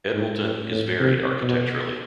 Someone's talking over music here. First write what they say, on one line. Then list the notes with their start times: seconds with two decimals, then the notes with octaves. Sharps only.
Edwalton is varied architecturally.
0.14 G#2
0.42 A2
0.70 A2
1.00 C3
1.42 B2